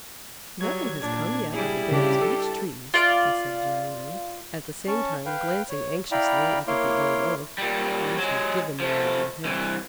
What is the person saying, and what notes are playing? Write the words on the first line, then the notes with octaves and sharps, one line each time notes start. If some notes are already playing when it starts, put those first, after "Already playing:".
"Nothing has come yet of the Bear's Beech Trees," he said jeeringly, at the same time glancing anxiously up at the Old Oak, who used to give him one on the head.
F#3 G3 G#6
A#2 D4
G3 E4 G#4
C#3 D4 G4
A4
F4 D5
C#4 A5 C#6
B4 F5 G5
C#5
E4 D5 F5 G5 A#5 B5
A#3 E4 C#5 F5 C6 D6
A#2 G3
F#3 G#3
F3 A3
C2 E3